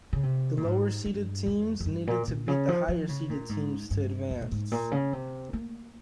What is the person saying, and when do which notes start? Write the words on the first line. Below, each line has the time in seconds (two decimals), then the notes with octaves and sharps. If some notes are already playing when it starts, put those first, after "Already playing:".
The lower seeded teams needed to beat the higher seeded team to advance.
0.13 C#3
0.23 C3
0.57 A#2
0.64 G#2
1.05 G2
1.46 F2
1.80 F2
1.86 G2
2.07 A#2
2.27 A#2
2.48 C#3
2.68 F3
2.88 F3
3.09 C#3
3.29 A#2
3.49 G#2
3.91 G2
4.30 F2
4.41 A#2
4.52 G#2
4.72 A#2
4.92 C#3
5.13 C3
5.53 A#3